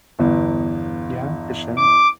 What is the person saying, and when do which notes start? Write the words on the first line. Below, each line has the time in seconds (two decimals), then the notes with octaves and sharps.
Yeah, for sure.
0.19 G1 E2
1.78 D6